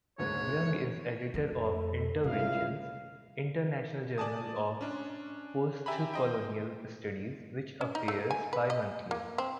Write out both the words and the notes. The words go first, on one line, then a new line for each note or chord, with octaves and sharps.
Young is Editor of "Interventions: International Journal of Postcolonial Studies" which appears bimonthly.
F#1 D2 G#2 C#5
F2 A3 A4
C#2 C3 E4 F5
D5 G#5 A5 D#6
C#4 D4
G4 E5 G#5 A#5 B5
C5 D#5 G5
C#4
D#4
A3
G#5
B4
D#5
A#3
C4